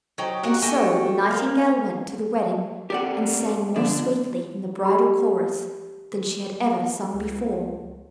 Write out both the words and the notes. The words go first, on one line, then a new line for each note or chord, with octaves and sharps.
And so the Nightingale went to the wedding and sang more sweetly in the bridal chorus than she had ever sung before.
F#3 D#4 G4 C5
F#4 G4 A#4
A3 F#4 G4 G#5
A#3 F5
C4 G4 A4 A#4 D5 F#5
F2 A#2 D3 D4 D5
G4 B5
C#2